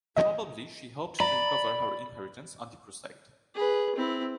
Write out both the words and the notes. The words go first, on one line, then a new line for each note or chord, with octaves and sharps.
Probably she hoped to recover her inheritance on the crusade.
D#5
D5 A#5 B5
G#4 B4
C4 E4